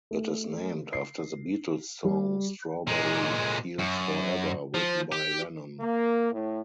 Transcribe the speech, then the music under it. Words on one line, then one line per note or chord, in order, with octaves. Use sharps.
It is named after the Beatles' song "Strawberry Fields Forever" written by Lennon.
A3
C7
G3
A#2 G#3
F#2
F3
G4
A#3
A2